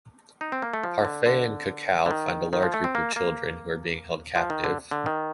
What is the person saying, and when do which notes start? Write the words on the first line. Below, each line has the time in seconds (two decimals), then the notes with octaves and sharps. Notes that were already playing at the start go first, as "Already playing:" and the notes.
Parfait and Cacao find a large group of children who are being held captive.
0.41 D#4
0.52 C4
0.62 A#3
0.74 A3
0.83 F3
1.05 D3
1.26 D3
2.06 D3
2.11 D#3
2.53 D#3
2.63 F3
2.74 A3
2.84 C4
2.95 A#3
3.16 A#3
4.36 F3
4.50 D#3
4.64 D3
4.91 D3
5.06 D#3